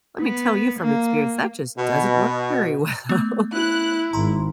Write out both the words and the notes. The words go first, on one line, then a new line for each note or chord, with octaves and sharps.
let me tell you from experience, that just doesn't work very well.
B3
A#3
B2
A3 B3
E4 F#6
G#1 A#5 C6